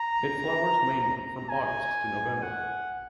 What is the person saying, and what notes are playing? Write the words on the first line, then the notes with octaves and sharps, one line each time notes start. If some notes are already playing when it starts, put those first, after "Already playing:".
It flowers mainly from August to November.
Already playing: A#5
A#5
G#5
F#5